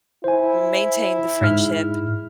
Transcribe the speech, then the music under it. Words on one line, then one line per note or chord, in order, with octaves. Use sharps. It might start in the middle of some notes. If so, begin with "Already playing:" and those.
maintain the friendship,
E4 C5 G#5
G#2 F6